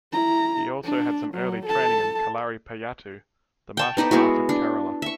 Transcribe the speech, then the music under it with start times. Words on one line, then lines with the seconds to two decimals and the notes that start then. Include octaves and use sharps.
He also had some early training in Kalaripayattu, the martial art of Kerala.
0.12 E4 A#5
0.84 D4
1.34 F#3
1.66 A4 A5
3.77 G5 A5 C#6
3.97 B3 D#4 B4 D5
4.11 G#3 B3 E4 F#4
4.49 D4
5.02 E5 C#6